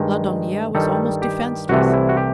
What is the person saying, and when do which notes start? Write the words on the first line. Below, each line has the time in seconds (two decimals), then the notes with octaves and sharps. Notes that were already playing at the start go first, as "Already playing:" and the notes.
Laudonniere was almost defenceless.
Already playing: G2 D#3 G#3
0.75 G2 D#3 G3 A4
1.22 G4
1.69 C2 C3 E3 A3 F#4
1.93 E4
2.09 F#4
2.17 G4